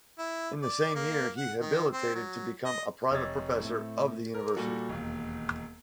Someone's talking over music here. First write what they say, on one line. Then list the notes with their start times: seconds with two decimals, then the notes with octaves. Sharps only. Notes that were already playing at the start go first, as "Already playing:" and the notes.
In the same year he habilitated to become a private professor of the university.
0.19 E4
0.62 D5
0.95 A#3
1.37 F#5
1.61 D#3
1.93 C4
2.15 F#3
2.65 D#5
3.11 F1 C#5 D#5 E6 G#6 A6
3.59 A2 A3 C4
4.34 A#4
4.56 A#2 G3 F#4 A4
4.89 E1 D#2